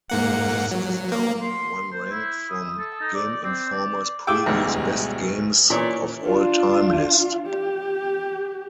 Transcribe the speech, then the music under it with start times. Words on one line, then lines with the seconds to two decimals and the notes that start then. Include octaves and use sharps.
This is down one rank from "Game Informer"s previous best games of all-time list.
0.10 G#2 A#3 F#5
0.71 F#3
1.12 A#3
1.41 C6
1.92 C5
2.11 E4
2.50 D#6
2.78 A4
3.01 D#4
3.15 D5
3.43 C4
3.72 D5
4.27 A3 E4 G#4 G5 D6 E6
4.46 A1 D2 G#2 B2 G3
5.70 A#2 E3 C#4 C#5 D5
6.21 D4 F4
7.47 G4